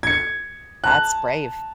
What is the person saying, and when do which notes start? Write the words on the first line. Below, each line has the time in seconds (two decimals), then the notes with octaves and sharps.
That's brave.
0.03 G#6 C#7
0.84 A5 A#5 F#6